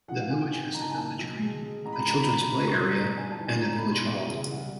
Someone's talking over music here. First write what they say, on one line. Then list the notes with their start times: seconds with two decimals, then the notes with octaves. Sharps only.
The village has a village green, a children's play area, and a village hall.
0.08 F3 F#5
0.20 F5
0.30 G#1 G#5
0.41 G5
0.52 D#3 G#5
0.74 F#1 A#5
0.82 A5
0.91 G#5
0.96 A#3 A5
1.19 B1
1.41 G#3
1.63 G#3
1.85 A1 A#5
1.92 B5
1.99 A#5
2.07 A1 B5
2.14 A#5
2.21 B5
2.29 G#3 A#5
2.35 B5
2.43 A#5
2.50 B2 B5
2.57 A#5
2.68 C#6
2.73 G2 C6
2.95 G2 A#5
3.17 G1 G#5
3.32 A5
3.40 D#3
3.47 G#5
3.61 B2 A#5
3.77 B5
3.84 B3
3.91 C6
4.05 E1
4.28 C#3
4.50 C2